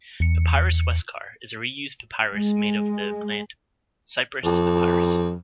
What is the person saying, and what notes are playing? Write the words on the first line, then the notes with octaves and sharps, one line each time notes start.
Papyrus Westcar is a reused papyrus made of the plant "Cyperus papyrus".
E2 C#7
G#3
F2